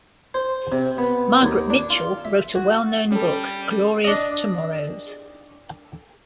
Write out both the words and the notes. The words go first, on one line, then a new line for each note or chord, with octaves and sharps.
Margaret Mitchell wrote a well known book, "Glorious Tomorrows".
C5
C3
B3
D#2
D4
F4
E5
F#4
G3 C#4 A4
D4 D#5